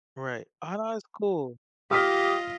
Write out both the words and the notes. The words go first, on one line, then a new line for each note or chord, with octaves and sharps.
Right, ah, that's cool.
F4 G4 D#5 D#6 F6 B6